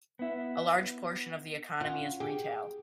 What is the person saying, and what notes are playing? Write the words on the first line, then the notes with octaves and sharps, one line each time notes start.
A large portion of the economy is retail.
B3 E4
C#4 F4 F#5
G4 G#4